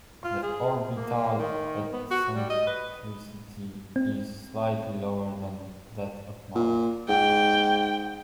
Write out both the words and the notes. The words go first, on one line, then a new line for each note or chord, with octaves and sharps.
The orbital eccentricity is slightly lower than that of Mars.
F4
G#4
A#3
D#3
B3
F#4
G3
D#5
B4
C4
A#2
G#2 G5